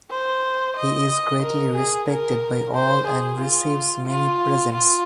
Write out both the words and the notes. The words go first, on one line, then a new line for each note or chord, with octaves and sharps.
He is greatly respected by all and receives many presents.
C5
D#5
A#4
G#4
A#4
C5
G#4
F4
F4
F4